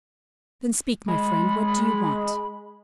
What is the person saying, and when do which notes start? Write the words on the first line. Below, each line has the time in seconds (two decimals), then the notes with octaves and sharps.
"Then speak, my friend; what do you want?"
1.08 G#3 B5